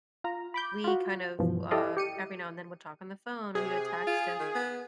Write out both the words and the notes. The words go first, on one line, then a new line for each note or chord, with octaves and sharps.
We kind of, uh, every now and then would talk on the phone and we would text and
F4 A#5
B5 D6 G6
F4 F#4
G2 B2 E3 F3
E4 G4 A4 D5 D#5 F5
G4 C#7 D#7
C3 G#4
F4
D#3
B3